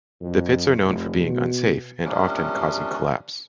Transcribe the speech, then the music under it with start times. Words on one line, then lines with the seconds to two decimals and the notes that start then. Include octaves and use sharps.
The pits are known for being unsafe, and often causing collapse.
0.21 F2
0.85 F1
1.22 B2
2.04 C3 F3 G3 A#3 C#4 D4